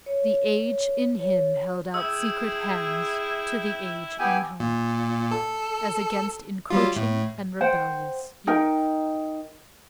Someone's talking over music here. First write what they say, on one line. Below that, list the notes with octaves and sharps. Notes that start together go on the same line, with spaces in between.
The age in him held out secret hands to the age in her--as against encroaching and rebellious youth.
C#5
C#5
E4 G#4 G5 E6
E3 B3 G4 G5 G#5
A#2
A4
F#3 G3 F4
A2
C5 F#5 G5
D#4 A#4 G5